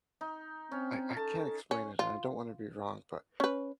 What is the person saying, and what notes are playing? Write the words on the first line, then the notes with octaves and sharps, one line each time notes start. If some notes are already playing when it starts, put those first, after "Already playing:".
I I can't explain it and I don't wanna be wrong, but
D#4
C4 C#4
A4 A5
C#4
F4
C#4 B4